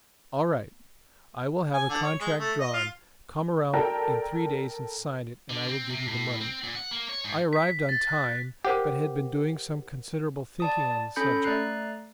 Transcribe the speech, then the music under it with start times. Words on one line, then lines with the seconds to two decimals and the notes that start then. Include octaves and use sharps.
'All right, I will have a contract drawn; come around in three days and sign it, and I will give you the money.' I arrived on time, but had been doing some considerable thinking on the subject.
1.74 G#5
1.89 D3
2.03 C#5
2.21 G#3
2.39 A3
2.60 D#5
2.74 F4
3.74 A4 A#4 D5 G5 A5 A#5
5.50 D3
5.68 C4
5.90 C3
6.08 A2
6.41 C4
6.64 A#2
6.75 F#5
6.91 A#3
7.09 C#5
7.25 G#2
7.53 B6
7.89 A6
8.08 F#6
8.65 G4 A#4 C5 F#5
10.60 D5 A5 D#6
11.16 C#4 A4 B5 G6 C#7
11.44 A3 D5 A#5 F#6 C7